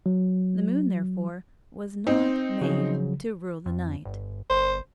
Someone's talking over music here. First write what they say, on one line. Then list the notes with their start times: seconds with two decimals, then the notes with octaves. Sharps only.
The moon, therefore, was not made "to rule the night."
0.06 F#3
2.07 C4 D#4
2.61 C#3 F3 F#3
3.66 F2
4.05 G1
4.50 G1 C5